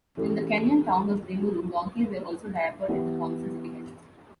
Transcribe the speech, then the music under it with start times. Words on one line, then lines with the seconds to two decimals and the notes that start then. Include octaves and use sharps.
In the Kenyan town of Limuru, donkeys were also diapered at the council's behest.
0.17 E3 A3 C#4 G4
2.88 E3 B3 E4 G4